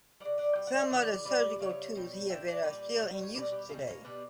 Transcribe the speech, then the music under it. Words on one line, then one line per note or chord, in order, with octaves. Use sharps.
Some of the surgical tools he invented are still in use today.
C#3 G3 D5 F#5
D5 F#5
B2 G3 G5
D5 F#5
C#5 E5
C#3 E3 D5
A#2 G3 B4 D5
D5
C#3 G3 C#5 E5
B2 G3
A#2 F#3 E5 G5
D5 F#5
A#2 G3 B4 D5
B2 G3 A#4 C#5
C#5
B2 G3 B4 D5
G4 B4
B2 G3 A#3 C#4
A#3 C#4
B2 G3 B3 D4